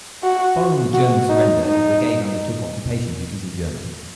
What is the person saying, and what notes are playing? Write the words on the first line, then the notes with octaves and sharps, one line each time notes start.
Following the German surrender the brigade undertook occupation duties in Germany.
F#4
F#4
D#4
D#4